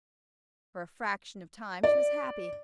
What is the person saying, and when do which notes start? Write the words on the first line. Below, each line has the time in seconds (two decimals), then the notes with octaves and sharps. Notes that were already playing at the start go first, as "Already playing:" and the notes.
For a fraction of time she was happy.
1.83 D5